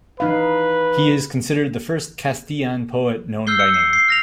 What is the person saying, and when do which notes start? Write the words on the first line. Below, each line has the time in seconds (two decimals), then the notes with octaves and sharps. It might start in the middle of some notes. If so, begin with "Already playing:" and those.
He is considered the first Castilian poet known by name.
0.20 E3 D#4 B4 F5
3.47 E6 F6 G6 C7 G7
3.59 E6 C#7
3.74 C7
3.93 C7
4.08 F6 A#6 F7